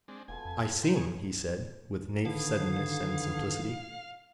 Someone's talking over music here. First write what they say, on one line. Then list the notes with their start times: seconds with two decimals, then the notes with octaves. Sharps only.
"I sing," he said, with naif suddenness and simplicity.
0.08 G#3 C4 D4
0.28 E1 B2 F4 A4 G#5
0.45 F2 B5
0.83 B2 B4 G5 C6
0.96 D#4 G#5 A5 C#6
2.26 D3 D#3 B3 E4 G#4 A4 F5